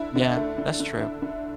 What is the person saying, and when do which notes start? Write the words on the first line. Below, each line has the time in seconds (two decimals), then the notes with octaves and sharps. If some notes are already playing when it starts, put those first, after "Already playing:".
Yeah, that's true
Already playing: D3 E4
0.15 D3
0.37 A3
0.58 D3
0.80 D3
1.01 E4
1.22 D3